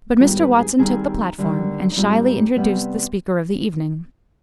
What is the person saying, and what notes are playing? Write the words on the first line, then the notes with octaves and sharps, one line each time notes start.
But Mr. Watson took the platform and shyly introduced the speaker of the evening.
G#2 D#3 G3 B3 F4
B4
G#4
D#2 D#3 G3 C4 G#4
D#2 D3 G3
D#4
G#2 G3 C4 F4
C3 G3 B3